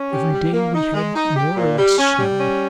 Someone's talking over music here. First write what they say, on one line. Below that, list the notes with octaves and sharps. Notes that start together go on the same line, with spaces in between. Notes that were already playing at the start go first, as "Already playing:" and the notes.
Every day we had more or less snow.
Already playing: C#4
G4
G3
A#3
D#4
G#3
D#4
G4
A#2
G3
C#4
G3
C#4